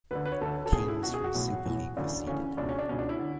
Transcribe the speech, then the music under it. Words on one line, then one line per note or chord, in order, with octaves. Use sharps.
Teams from Super League were seeded.
D2 D3 B4
B4
C#5
D2 D3 A4
A4
C#2 B2 G#4
E4
C#2 B2 F#4
G#4
F#4
B1 A2 E3
B1 A2 E3
D2 C#3 E3 D4
D2 C#3 E3 C#4
C#2 B2 D4
C#4
D4
C#2 B2 C#4
D4
E4
D3